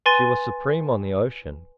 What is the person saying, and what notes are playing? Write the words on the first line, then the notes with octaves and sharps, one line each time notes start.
She was supreme on the ocean.
B4 G#5 C6 A6 D#7